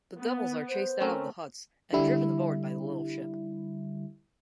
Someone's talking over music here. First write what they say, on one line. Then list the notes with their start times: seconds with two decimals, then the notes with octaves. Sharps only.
The devils are chased out of the huts and driven aboard the little ship.
0.19 B3
0.69 C5
1.01 A3 C4 C#4 A#4
1.93 D3 G3 E4